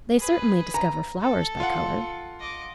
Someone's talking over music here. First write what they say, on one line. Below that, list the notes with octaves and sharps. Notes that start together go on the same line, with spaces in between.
They certainly discover flowers by colour.
G#4 B4
A#5
A4
F4 F#5
D#5 D6